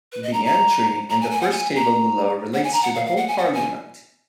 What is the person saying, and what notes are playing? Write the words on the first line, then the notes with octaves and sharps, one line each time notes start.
The entry in the first table below relates to the whole Parliament.
B4
D#5
A#5
A#5
A#5
G#5
G#5
F#5
G#5
A#5
F#5
G#5
A#5
F#5
F5
F5
F#5
G#5
F#5
G#5